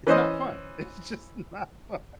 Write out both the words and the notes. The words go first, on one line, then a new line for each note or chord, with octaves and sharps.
it's not fun! It's just not fun.
E3 C#4 C5 D#5